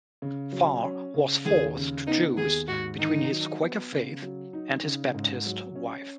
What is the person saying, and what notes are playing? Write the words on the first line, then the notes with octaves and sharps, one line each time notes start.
Farr was forced to choose between his Quaker faith and his Baptist wife.
C#3
F#3
C#4
C#3
D#2 G#4
C#3
B3 D#4
D#2 G#4
G#2 F#4
D#3 D#4
F#3
B3
C#3
F#3
D#4
C#3
G#2
F#3
C#4